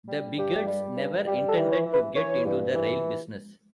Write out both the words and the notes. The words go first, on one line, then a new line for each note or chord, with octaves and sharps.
The Biegerts never intended to get into the rail business.
G3
G2 G4
G3
G2
G3 G4
A4
E3
C#5
E3
B4
E3 C#5
G2
E3